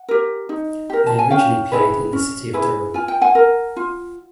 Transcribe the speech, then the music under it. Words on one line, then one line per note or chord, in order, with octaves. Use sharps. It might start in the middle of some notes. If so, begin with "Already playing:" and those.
They originally played in the city of Durham.
Already playing: F#5
G4 A#4
D#4
G4 A#4
A5
G#5
C#4 F5 G5
E4 G#4 B4
C#4
E4 G#4 B4
F4 G#5
G5
F#5 G#5
A#4
F4